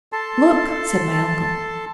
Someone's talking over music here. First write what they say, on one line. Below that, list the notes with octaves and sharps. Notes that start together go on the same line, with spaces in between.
"Look!" said my uncle.
A4 A5 C6